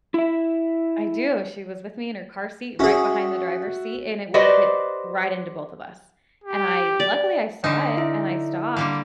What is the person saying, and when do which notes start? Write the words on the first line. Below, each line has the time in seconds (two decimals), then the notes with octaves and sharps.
I do, she was with me in her car seat right behind the driver's seat, and it would've hit right into both of us, and I luckily, I saw it and I stopped.
0.14 E4 E5
2.79 C#4 F#4 G#4 E5
4.34 F#4 G4 B4 C5 D5 D#5
6.44 G4
7.00 D5
7.64 D3 D#4
7.97 E4 E5
8.77 D3 G3 A#3